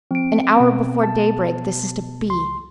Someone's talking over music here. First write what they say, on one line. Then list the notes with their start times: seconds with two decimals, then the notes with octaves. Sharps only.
An hour before daybreak this is to be.
0.11 F3 C4 D7
0.56 B2 B3
1.03 A5
2.29 C#2 C6